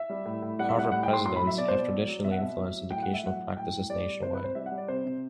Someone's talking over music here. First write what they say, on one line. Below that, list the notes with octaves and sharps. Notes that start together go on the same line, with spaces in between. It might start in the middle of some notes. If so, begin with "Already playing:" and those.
Harvard presidents have traditionally influenced educational practices nationwide.
Already playing: E5
G3
A2
A2
G3 F#5
E5
G3 F#5
A2 F#5
G5
A2 C6
F#3 C6
B5
F#3
E5
B2 D5
C5
B2 D5
F#3
F#3
B2 E5
F#5
B2 E5
F#3
F#3
A2 G5
F#5
A2
E5
F#3 F#5
F#3
A2 G5
A2
G3 D5
G3
C3 C5
B4
C3 C5
G3 E5
F#5
G3
D5
C3 C5
C3